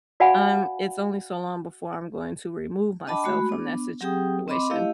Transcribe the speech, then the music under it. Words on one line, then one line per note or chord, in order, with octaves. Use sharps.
um, it's only so long before I'm going to remove myself from that situation.
F#4 D5 F5 F#5 G#5 B5
D4 D#5 G5 A5 B5 D6
G#3 A3 F#4 B5
B3 D4
F#3 C4 G4 G#4 G5 D#6
C4 D#5 B5 C6 D6
A3 E4 G4 D#5 F5